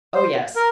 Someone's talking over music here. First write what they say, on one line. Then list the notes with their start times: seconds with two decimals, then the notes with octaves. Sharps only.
Oh yes!
0.15 C5
0.56 A#4